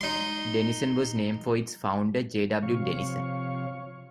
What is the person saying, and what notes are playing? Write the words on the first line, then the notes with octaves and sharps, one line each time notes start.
Denison was named for its founder, J. W. Denison.
D#4 C6
C3 F3 C#5 F5 C#6